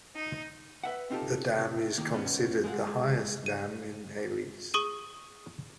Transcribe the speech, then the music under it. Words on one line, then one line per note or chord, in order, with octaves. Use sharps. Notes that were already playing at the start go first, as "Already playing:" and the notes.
The dam is considered the highest dam in Elis.
D#4
B4 E5 F#5
B3 C4 D#4 F4 G4 A4
C3
D#3 A#3
B2 B3 C#4
G#3 G#4 A#4 F5 F#5
D#7
G#4 C#6 D#6 D#7